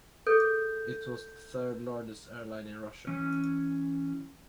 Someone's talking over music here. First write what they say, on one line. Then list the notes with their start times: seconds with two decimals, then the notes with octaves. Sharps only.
It was the third largest airline in Russia.
0.27 G#4 A4 G6
3.07 E3 C#4